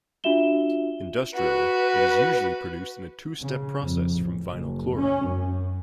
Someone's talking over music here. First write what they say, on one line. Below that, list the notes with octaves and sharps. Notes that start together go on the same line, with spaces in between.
Industrially, it is usually produced in a two-step process from vinyl chloride.
D4 F4 F#4 E5 E7 G7
F#4 B4
C#3
F2
A1
F#1
C#4
F#2